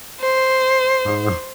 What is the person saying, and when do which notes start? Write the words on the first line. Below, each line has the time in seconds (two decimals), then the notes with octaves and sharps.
Uh, huh
0.21 C5